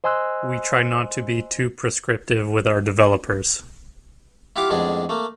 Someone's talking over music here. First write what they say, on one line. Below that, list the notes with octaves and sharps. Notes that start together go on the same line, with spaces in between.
We try not to be too prescriptive with our developers.
C5 D#5 G#5 C6 E6 F#6
E4 F4 G4 F5 F#5 D6
F2 A2 G#3 B3 D4 G#4
A3 A#3